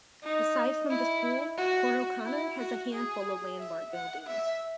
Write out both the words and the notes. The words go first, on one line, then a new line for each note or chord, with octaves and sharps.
Aside from the school, Port O'Connor has a handful of landmark buildings.
D#4
E4
F#4
E4
F#4
G#4
E5
F#5
E5